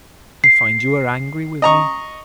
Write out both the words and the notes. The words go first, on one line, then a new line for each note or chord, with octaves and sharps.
I find you are angry with me.
C7
D#5 A#5 C#6